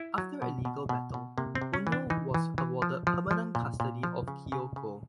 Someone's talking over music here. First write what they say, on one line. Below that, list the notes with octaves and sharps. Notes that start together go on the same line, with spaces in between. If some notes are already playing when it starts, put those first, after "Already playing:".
After a legal battle, Ono was awarded permanent custody of Kyoko.
Already playing: E4
F#3
B2
B2
B2
B2
C3 A#3
C4
C3
C#4
E3
D4
E3 D#4
E3
E3
F3
F3
F3
A#2
A#2
F3
C#3
C#3
C#3